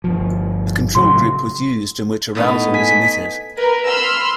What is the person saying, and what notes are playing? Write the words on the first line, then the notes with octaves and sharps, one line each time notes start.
A control group was used in which arousal was omitted.
G1 F3
A2 C#3 F#3 C6
A2 B3 D#4
G#5 B6
A#4 B4
B5 C6 E6 F6